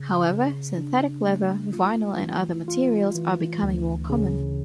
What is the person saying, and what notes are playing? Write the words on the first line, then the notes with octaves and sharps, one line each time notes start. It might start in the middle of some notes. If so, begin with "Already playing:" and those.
However, synthetic leather, vinyl and other materials are becoming more common.
Already playing: C#3
C#3
D4
A3
F4
E3
F4
E3
D2
C#3